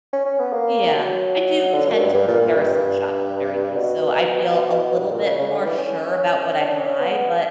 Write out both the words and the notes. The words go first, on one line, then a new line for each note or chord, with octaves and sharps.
Yeah. I do tend to comparison shop at the very least, so I feel a little bit more sure about what I buy, but,
C#4
C#4
B3
A#3
F#3
D3
F#2
G2
G2
A#2
A#2
G2
G2
B2
G2
A#2
C#3
C#3
D3
E3
C#4
C#4
D4
C#4
B3